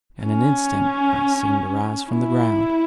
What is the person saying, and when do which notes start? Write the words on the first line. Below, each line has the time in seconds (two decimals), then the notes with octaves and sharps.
In an instant I seemed to rise from the ground.
0.24 C#4
2.10 E4